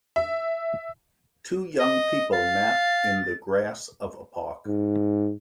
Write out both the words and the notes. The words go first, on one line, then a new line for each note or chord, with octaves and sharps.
Two young people nap in the grass of a park.
E5
D#5
F5 A6
G#2